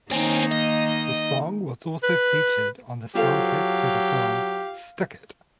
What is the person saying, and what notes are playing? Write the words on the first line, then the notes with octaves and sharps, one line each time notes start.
The song was also featured on the soundtrack to the film "Stick It".
D#3 A#3 C4 C#4 D#4
D#5
B4
F#3 F4 G4 A4 C5 F5